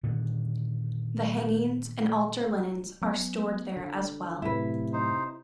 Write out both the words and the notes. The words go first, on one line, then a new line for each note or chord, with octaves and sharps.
The hangings and altar linens are stored there as well.
A#2 D3 D#3
F#3 B3 C#4
D3
F#2 A2 C3 E4 B4
D#4 C5